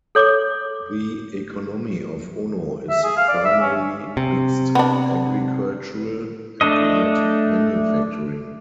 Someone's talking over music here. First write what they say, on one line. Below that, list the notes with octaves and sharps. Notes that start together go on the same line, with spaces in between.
The economy of Ono is primarily mixed agricultural and light manufacturing.
A4 C#5 D6
E5
G#4
F5
D5
E5
C#4
C3
B3 D4
A3 D4 A4 D#5